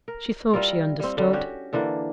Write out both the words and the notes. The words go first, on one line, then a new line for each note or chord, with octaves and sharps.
She thought she understood.
A#4
G3 E4 F4 A#4
G3 C4
D3 G3
C#4 F#4 G4
D3 E3 A#3 D4